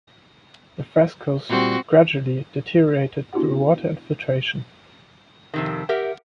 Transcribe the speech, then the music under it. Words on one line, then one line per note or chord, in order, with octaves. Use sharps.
The frescoes gradually deteriorated through water infiltration.
A#2 G3 C4 F#4
B3 D4 E4 F#4 G4 F#5
F2 C3 D#3
G4 A#4 E5 F#5